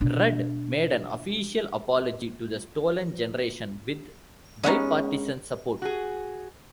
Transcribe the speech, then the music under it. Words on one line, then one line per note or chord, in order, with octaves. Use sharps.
Rudd made an official apology to the "Stolen Generation" with bi-partisan support.
B2 D4
G#3 B3 C#4 D#4
F#4 G#4